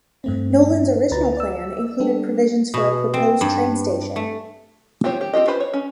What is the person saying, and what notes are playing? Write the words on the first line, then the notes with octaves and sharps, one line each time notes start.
Nolen's original plan included provisions for a proposed train station.
G2 A3 C4
D2 B4 A#5 A6
D5 E6
G3 B3 D4 G4 A4
B2
C4
G2
A3
C4 F4 G4 C5 C#5
G4
C4 F4 G4 D#5
F4 B4 C5 B5
C#5
C#4